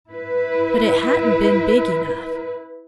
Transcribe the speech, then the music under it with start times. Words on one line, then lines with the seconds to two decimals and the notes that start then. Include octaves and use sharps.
But it hadn't been big enough.
0.11 E4 B4